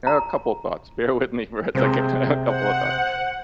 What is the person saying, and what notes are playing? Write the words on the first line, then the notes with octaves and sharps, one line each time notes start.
I have a couple of thoughts. Bear with me for a second. I have a couple of thoughts.
A#5
C3 G#3 A#3 C4 C5
C5 F#5